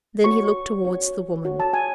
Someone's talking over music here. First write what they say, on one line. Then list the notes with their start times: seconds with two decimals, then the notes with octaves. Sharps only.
Then he looked towards the woman.
0.24 F#4 C#5 C#6
0.85 F#4 C#5
1.45 F#4 C#5
1.60 A5
1.73 G#5